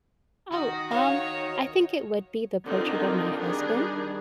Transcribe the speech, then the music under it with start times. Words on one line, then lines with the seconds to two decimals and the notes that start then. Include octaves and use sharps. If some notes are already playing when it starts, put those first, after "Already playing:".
Oh, um, I think it would be the portrait of my husband,
0.52 D#3 D#4 F#4 D#5
0.91 C#5 F5
2.65 D3 D#3 C4 D#4 F4 A#4
3.33 D#3 G3 D4 G#4